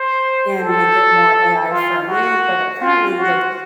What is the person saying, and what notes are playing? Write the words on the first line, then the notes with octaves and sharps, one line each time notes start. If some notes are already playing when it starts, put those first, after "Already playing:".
and make it more AI friendly, but apparently, like,
Already playing: C5
A4
F4
F#4
F4
F#4